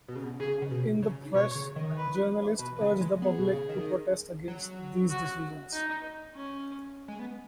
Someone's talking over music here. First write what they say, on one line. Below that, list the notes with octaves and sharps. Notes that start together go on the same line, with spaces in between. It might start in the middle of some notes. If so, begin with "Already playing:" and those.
In the press journalists urged the public to protest against these decisions.
B2
C#3
B2
C#3 G#4
C#3
B2
C#3
B2 C#5
C#3
D#3
B4
B2 B4
C#3
G#3
B3 G#4
B2
C#3
D#3
F#3
F#4
D#4
C#4
G#3
B3